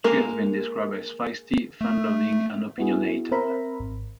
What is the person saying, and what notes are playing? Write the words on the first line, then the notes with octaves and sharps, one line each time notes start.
She has been described as feisty, fun-loving, and opinionated.
G#3 A#3 A#4
A3
B3 E4 F#4 G#4
C4 A#4 C5 E5 A#5 B5
G#1